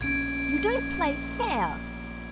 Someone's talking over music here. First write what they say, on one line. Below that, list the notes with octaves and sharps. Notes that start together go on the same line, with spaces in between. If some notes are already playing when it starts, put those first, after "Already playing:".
"You don't play fair."
A#1 C#4 G#6 D7